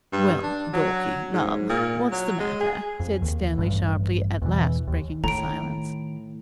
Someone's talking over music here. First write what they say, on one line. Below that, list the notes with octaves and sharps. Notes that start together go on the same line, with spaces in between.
'Well, Dorkie, love, what's the matter?' said Stanley sharply, at last breaking the silence.
G2
D4
F#3
G#2
A#2
F#3
G#3
G#4
F2
D#2
A1 G2
E2 B2 E3
D#2
A2 D#3 A#5 D7